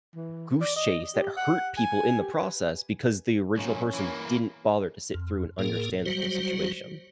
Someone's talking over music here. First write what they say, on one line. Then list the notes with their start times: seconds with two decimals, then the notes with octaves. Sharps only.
goose chase that hurt people in the process because the original person didn't bother to sit through and understand the full situation.
0.15 E3
0.61 D5
0.76 D#5
1.15 G4
1.37 F#5
1.77 G#5
2.20 G4
2.33 B4
3.56 B1 A#2 C#4
3.94 E3 A#3
5.14 F2
5.59 A2 A#3 G#4 A#4
6.06 F#3 G3 F#4 C5